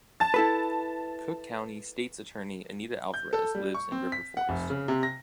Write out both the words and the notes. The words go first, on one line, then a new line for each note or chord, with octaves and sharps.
Cook County state's attorney Anita Alvarez lives in River Forest.
A5 A6
E4 A4 B4
G6
A4
G3
C#6
C4
B6
F#5
F1
C#3
C3
A#6